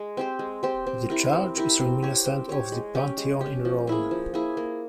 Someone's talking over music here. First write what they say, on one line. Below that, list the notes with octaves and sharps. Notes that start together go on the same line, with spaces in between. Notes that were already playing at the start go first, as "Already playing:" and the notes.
The church is reminiscent of the Pantheon in Rome.
Already playing: G#3
C4 G4 C5
G#3
C4 G4 C5
C4
E4 G4 A#4
C4
E4 G4 A#4
C4
G4 C#5
C4
G4 C#5
G#3
C#4 G4
G#3
G4
C#4
F3
A#3 E4 G#4
F3
A#3 E4 G#4
A#3